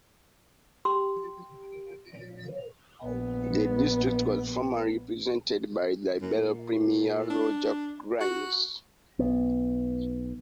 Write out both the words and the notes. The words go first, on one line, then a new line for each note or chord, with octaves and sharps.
The district was formerly represented by Liberal Premier Roger Grimes.
G4 C6
A#1 B3
F#2
A#2
D4
F#4
B1 B3